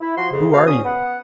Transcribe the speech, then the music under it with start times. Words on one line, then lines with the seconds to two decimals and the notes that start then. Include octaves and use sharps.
"Who are you?"
0.01 E4
0.17 F3 F#4 C6
0.32 F2 C#3
0.52 A3 B3 C#4 F#4 C5 F5
0.66 D2 C#4 D#6
0.85 B3 F#5